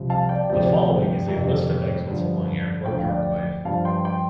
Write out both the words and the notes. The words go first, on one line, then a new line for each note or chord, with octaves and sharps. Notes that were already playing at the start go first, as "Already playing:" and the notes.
The following is a list of exits along Airport Parkway.
Already playing: C2 C3 F3
F5 A5
D5 G5
D2 C3 F3 D5 G5
F2 C3 F3
G2 D3 F3
D2 D3 F3 G5
F5
D5 G5
G2 F3 F5 A5
G5 C6
G5 C6